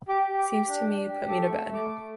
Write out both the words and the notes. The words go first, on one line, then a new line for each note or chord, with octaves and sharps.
Seems to me you put me to bed.
G4 D6
G4
D6
G4
D4
D4
G4
A4 D6
C#6
A3
E6
A3 D6
A3